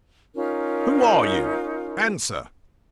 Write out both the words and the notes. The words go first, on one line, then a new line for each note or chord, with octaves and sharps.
Who are you? Answer!
C#4 D#4 F4 A#4